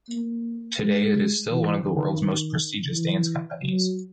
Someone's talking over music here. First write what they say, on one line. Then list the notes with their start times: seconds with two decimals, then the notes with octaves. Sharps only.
Today it is still one of the world’s most prestigious dance companies.
0.09 A#3
0.79 G#3
1.50 E3
1.86 D#3
2.92 E3
3.62 F#3